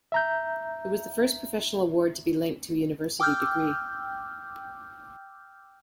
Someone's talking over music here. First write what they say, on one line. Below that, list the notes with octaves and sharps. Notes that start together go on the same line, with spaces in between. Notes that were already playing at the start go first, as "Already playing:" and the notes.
It was the first professional award to be linked to a university degree.
E5 A#5 G6
G5 D6 E6 F6 G6